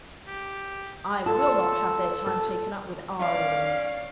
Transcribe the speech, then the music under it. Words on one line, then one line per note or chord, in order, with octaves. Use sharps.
I will not have their time taken up with our errands.
G4
F4 A4 A5 E6
A4
C#4 D5 F5